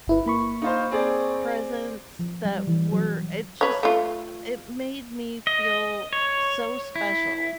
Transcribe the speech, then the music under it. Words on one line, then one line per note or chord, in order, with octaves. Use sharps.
presents that were it just uh, it made me feel so special,
G1 E4 B4
A#3 B5 C#6
D#4 F4 C5
C4 G#4 D5
F3
G3
E3
F#3
B4 C#5
A3 F4
D#5
C#5
E4